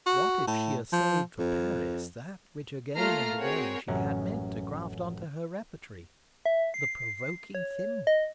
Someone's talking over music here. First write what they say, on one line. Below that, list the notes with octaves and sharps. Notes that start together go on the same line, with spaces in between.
What if she essayed for Paris that which again and again she had meant to graft on to her repertory--the Provoking Thimble?
F#4
A2
F3
F2
A3 A#3 F4 A#5 F6 C7
C4 F#4 G#4 A#4 C#5
A1 F#2 C#4 F#5 A#5
E5
C7
C#5
D#5